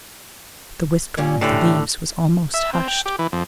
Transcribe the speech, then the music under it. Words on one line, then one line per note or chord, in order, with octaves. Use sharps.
The whispering of the leaves was almost hushed.
A#2 G3 C#4
A2 D3 A3 C#4 G4
E5
C4
G5
G4
E3
F2